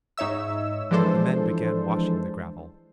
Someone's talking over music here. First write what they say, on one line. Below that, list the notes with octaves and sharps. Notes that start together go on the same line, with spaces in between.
The men began washing the gravel.
G#2 D#4 C#5 E5 E6
E3 F3 G#3 D4 A4 C5